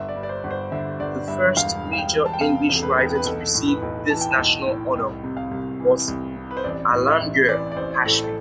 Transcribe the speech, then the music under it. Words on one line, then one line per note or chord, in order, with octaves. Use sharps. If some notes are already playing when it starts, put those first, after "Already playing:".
The first major English writer to receive this national honour was Alamgir Hashmi.
Already playing: G1 E5
D5
G2
D5
C5
G1
C5
D3 E5
G1 D5
G2 E5
E1 F5
E2
F5
G5
E1
A5
G5
C3 F5
E1
A4
B4
E2
B4
B1 A4
A2
B4
B1
E3 A5
G5
A5
B1
A2
C2
C3
F5
C2
E3
C2
C3
B4
C5
A1 D5
A2
E5
A1
E3 D5
D5
A1 C5
A2 A4
A4